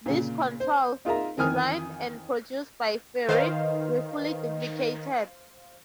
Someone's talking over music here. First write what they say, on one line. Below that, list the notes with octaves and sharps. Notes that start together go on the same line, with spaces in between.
These controls, designed and produced by Fairey, were fully duplicated.
A#2 C#3
C5
D#4 F4 G#4 A#4 E5 A#5
F2 D#3 E3 G#5 D#6 F6
D#3 B4 C5 D#5 F5